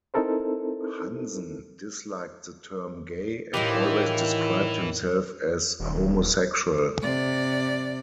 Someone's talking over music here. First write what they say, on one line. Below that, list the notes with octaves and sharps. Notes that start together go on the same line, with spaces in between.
Hansen disliked the term "gay" and always described himself as "homosexual".
C4 D#4 E4 A4 A#4 C5
A2 D#3 E3 D#4 F4 G4
D#1
C3 D5